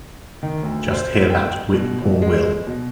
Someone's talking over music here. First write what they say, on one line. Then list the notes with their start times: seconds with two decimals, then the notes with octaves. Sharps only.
Just hear that whip-poor-will.
0.43 D#3
0.63 D2
0.93 C5
1.30 G5
1.74 B2
2.02 F2
2.22 G#3
2.67 B2